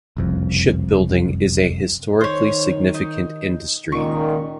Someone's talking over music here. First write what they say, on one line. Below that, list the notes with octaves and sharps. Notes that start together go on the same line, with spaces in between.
Shipbuilding is a historically significant industry.
F#1 C2 F2
D#3 C5 C#5
D#4
C#2 A#2 D#3 C#6